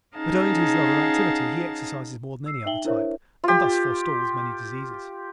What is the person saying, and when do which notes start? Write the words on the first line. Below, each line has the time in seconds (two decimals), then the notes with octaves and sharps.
But owing to his love of activity he exercises more than any other type and thus forestalls many diseases.
0.16 C#4 D#4 G#4 F5 F#5 A5
2.46 E6 C7
2.66 D#4 E5 G5 F#7 G7
2.84 D4 E4 A#4 C5 C#5 E5
3.44 F4 G4